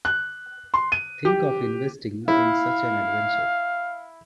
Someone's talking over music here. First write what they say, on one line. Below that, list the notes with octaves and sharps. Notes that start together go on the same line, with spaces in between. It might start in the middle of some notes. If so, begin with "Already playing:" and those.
Think of investing in such an adventure.
F#6
C6
D#7
G4
E4 F5